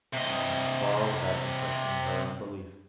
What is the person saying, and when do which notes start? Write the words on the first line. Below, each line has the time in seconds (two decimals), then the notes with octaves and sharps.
How far was I from questioning her unbelief!
0.14 C3 D#5